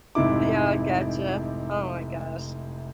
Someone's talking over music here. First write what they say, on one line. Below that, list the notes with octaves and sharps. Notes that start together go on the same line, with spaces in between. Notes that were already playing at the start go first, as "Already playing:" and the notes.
yeah, I gotcha, oh my gosh,
F1 G#2 C3 E4 D6